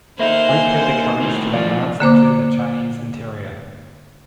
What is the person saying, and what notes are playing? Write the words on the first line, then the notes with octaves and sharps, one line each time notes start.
Both had the courage to advance into the Chinese interior.
A#3 D#4 A4 C5 E5 B5
G#5
A2 D#3
F3 D5 F5
D3 A#3 C5 D6